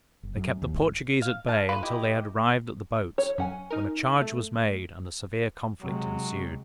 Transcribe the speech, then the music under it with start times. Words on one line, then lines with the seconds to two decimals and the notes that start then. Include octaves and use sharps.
They kept the Portuguese at bay until they had arrived at the boats, when a charge was made and a severe conflict ensued.
0.23 F#1
0.36 F#2
0.62 D#2
0.74 G#1
1.22 F5
1.48 F5 A5
1.69 A3 F4 B4
1.83 E4 G4 D#5
3.18 C#5
3.38 F#2 C#4 F#5 G#5
3.70 D#4 A#4
4.21 A3
5.82 C3 F#3 G#3